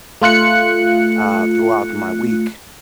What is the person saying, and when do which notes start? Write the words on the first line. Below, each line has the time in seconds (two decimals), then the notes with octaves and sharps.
uh, throughout my week.
0.22 A3 F4 F#6 C#7